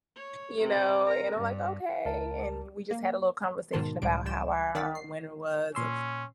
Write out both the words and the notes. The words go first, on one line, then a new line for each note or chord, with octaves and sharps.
you know, and I'm like, "Okay," and we just had a little conversation about how our, um, winter was o
C#5
C3
A#4
G2
C#2 A#4 A5
A#3
G#2 B2 D#3 A5 C6
C#2 A2 G3 D7
C#2 G3 G5 E7
D#3 D5 F#5 A6 B6
C7
A#2 C#4 C6 E6